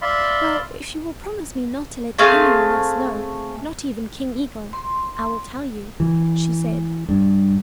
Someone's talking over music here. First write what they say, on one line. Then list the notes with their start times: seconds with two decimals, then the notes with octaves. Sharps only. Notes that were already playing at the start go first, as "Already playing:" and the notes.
"Well, if you will promise me not to let any one else know, not even King Eagle, I will tell you," she said.
0.02 D5 E5 F5 B5 C6
2.18 A3 C4 G#4 F5
4.73 C6
6.00 E3
7.09 G2